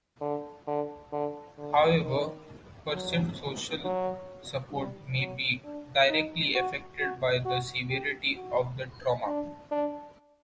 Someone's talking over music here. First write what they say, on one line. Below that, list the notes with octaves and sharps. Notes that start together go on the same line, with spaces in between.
However, perceived social support may be directly affected by the severity of the trauma.
D3
D3
D3
D3
D#3
F#3
F#3
G3
F#3
D4
D#4
F#4
F#4
F#4
G4
F#4
D4
D4